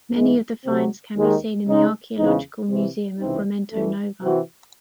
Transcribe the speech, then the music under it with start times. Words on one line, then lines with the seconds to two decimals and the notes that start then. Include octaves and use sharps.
Many of the finds can be seen in the Archaeological Museum of Grumento Nova.
0.14 G#2 E3 G#3
0.65 C3 F#3 C4
1.15 D#2 D#3 G#3 D#4
1.66 C#3 G#3 D#4
2.18 E2 C#3 G#3 C4 D#4
2.68 C3 E3 C4
3.18 C#2 C3 E3 C4 D#4
3.70 F#2 E3 A3
4.21 C3 E3 C4 F#4